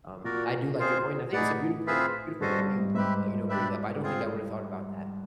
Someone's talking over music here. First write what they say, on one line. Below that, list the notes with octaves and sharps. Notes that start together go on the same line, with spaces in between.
um, I do like your point, and I think it's a beautiful po beautiful point you, uh, you know, bring up, I don't think I would've thought about that.
A#2 F#4 A#4 D5
C4 F4 G#4 C5
A2 D#4 G#4 B4 D5 F#5
C4 F4 G#4 B4 E5
G2 C#4 F#4 A4 C5 D#5
G2
G#2
G#2 G4 B4 E5
D4 G4 B4 E5
C4 F4 G#4